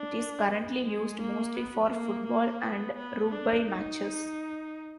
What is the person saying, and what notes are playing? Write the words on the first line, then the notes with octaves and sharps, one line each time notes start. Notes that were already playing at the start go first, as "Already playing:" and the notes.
It is currently used mostly for football and rugby matches.
Already playing: D4
B3
G#3
A#3
B3
A#3
A#3
B3
B3
D4
D#4